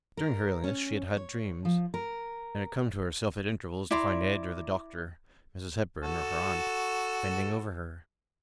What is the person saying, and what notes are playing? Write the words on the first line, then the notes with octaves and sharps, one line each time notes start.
During her illness she had had dreams, and had come to herself at intervals to find Ed or the doctor, Mrs. Hepburn or her aunt, bending over her.
A#4
C#4
C#5
F3
A#4
E4 D5 A#5 C6
F#4 A4